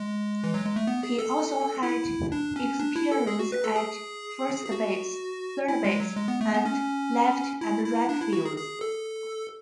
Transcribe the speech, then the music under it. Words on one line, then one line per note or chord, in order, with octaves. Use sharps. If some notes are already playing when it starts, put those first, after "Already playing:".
He also had experience at first base, third base, and left and right fields.
Already playing: G#3
E3
F#3
G#3
A3
B3
G#4
A4
E4
D4
C#4
D4
E4
A4
G#4
F#4
B4
A4
G#4
G#4
F#4
E4
G#3
F#3
G#3
B3
A3
B3
C#4
E4
E4
D4
E4
F#4
G#4
G#4
A4